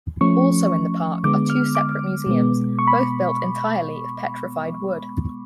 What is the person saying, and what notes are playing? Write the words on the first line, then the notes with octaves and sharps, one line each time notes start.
Also in the park are two separate museums, both built entirely of petrified wood.
F3 A3 C#4 C#6
D3 G#3 B3 D6
F6
D6
B2 G#3 B3
C#6
B5